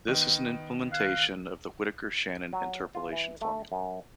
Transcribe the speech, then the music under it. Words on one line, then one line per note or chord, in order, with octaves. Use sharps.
This is an implementation of the Whittaker-Shannon interpolation formula.
D#3 B3
F5 F#6
F#3
F4
E3
A3
F#2